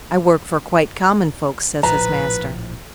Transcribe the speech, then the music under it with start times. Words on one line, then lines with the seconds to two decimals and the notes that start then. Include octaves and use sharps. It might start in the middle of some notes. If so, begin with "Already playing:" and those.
I work for quite common folks,' says his master.
1.83 A#1 A2 F3 B4 A#5